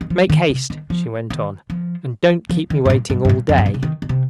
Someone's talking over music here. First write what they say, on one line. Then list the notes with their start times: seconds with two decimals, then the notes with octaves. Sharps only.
"Make haste," she went on, "and don't keep me waiting all day."
0.01 D#3
0.10 F3
0.30 D#3
0.50 C3
0.70 D#3
0.90 F3
1.30 D#3
1.70 F3
2.50 F3
2.70 D#3
2.86 G2
2.90 A#2
3.10 G2
3.25 G2
3.29 A#2
3.49 F2
3.58 G2
3.66 A#2
3.74 C3
3.83 D#3
4.02 D#3
4.09 C3